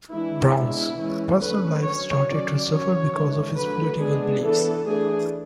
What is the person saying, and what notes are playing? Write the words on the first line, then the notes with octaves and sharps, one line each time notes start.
Brown's personal life started to suffer because of his political beliefs.
E3 G#3 D4 E4
G#3 B3 D4 E4
E3 G#3 C#4
D3 A3 C#4 B4
F#3 C#4 C#5
F#3 C#4 D5
F#3 C#4 C#5
E3 G#3 D4
D3 F#3 A3 B4
G#3 B3 D4 G#4
E3 B3 D4 A4
E3 A3 D4 G#4